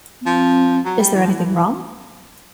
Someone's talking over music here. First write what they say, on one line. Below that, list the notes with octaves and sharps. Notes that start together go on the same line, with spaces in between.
Is there anything wrong?
B3
F3 C4
F#3
G3
E3
F3
E3
F3
E3